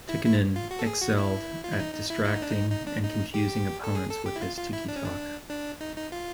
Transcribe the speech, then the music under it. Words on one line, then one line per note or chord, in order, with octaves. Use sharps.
Tikkanen excelled at distracting and confusing opponents with his Tiki-Talk.
E4
E4
F4
F#4
A4
G#4
F#4
E4
F4
E4
D#4
D#4
E4
E4
D#4
D4
D#4
D#4
D4
D#4
G4
A4
G#4
A4
G4
E4
F4
F4
E4
D4
C#4
D4
D4
D#4
D#4
F4